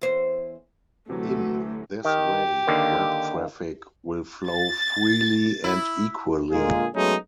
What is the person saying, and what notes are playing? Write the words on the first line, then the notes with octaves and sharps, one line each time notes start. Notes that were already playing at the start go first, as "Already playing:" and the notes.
In this way, web traffic will flow freely and equally.
E2 C5
D2 C3 E3 F#3 A3 F#4
D#3 G4
D#2 D3 A#3
A6
E4
A#2 D3 G#3 A#3 F4 G#4
F#3 G#3 A3 B3 C#4 D#4